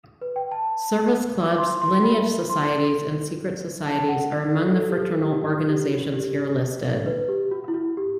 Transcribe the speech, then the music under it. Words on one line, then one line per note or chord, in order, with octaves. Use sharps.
Service clubs, lineage societies, and secret societies are among the fraternal organizations here listed.
B4
G5
A5
D6
C6
C6
B5
C6
A5
F#5
D5
A4
A4
G4
A4
G4
G4
F#4
G4
B4
G4
F#4
E4
F#4
G4